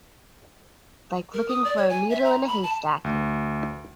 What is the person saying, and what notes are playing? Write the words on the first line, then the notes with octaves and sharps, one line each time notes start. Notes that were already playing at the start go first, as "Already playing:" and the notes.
Like looking for a needle in a haystack.
A#4
D#6
D5
C#5
G#5
E5
A#5
B5
A5
D2